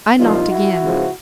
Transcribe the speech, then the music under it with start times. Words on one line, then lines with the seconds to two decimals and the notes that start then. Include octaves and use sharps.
I knocked again.
0.18 C2 A#2 F3 D#4 F4
0.50 E4 F#4
0.82 C#2 C#3 F3